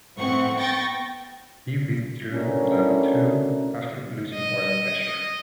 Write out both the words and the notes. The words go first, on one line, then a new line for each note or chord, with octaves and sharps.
He withdrew on lap two after losing oil pressure.
A2 C4 F#5 C#6
B3 G5 C#6 A6 A#6
A3 C#4 D4 E4 F#4 A#4
D#5